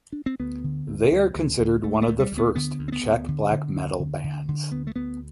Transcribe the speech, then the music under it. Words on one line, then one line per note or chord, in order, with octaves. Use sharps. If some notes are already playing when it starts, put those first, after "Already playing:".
They are considered one of the first Czech black metal bands.
D4
C4
D2 B3
D3
D2
D2
D2
D2
D2 A3
A3
D2
G3
D2
B3
D3 B3
D2
C4
B3
D2
D3
D3
D2
D3
D3
D3
D2 B3
A3
D2 B3